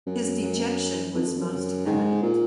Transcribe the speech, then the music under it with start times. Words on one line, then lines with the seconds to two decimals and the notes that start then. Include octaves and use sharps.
His dejection was most evident.
0.07 F#2
0.42 F#2
1.14 F2
1.27 F2
1.38 F#2
1.86 G#2
2.23 A#2